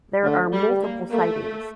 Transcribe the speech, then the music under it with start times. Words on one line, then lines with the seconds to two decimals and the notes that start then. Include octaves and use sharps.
There were multiple sightings.
0.24 D3 A3
0.53 G3
0.68 G3
0.82 A#3
1.10 A3 A#3